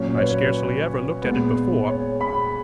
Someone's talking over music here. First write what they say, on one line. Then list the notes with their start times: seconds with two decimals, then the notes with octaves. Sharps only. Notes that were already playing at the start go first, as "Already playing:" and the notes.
'I scarcely ever looked at it before.
Already playing: A#2 F#3 C#4
0.18 C#5
0.23 B4
1.22 A#2 G#3 B3
1.88 C#5
2.21 B5